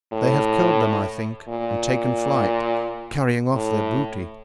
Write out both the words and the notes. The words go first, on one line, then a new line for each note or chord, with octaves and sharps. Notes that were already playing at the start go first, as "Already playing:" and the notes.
They have killed them, I think, and taken flight, carrying off their booty.
A2
A#2
A2